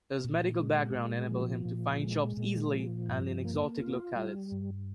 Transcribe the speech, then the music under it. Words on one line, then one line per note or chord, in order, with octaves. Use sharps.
His medical background enabled him to find jobs easily and in exotic locales.
A#2
G#3
A#2
F3
A#2
G#3
A#2
F3
G2
A#3
F4
G3
G2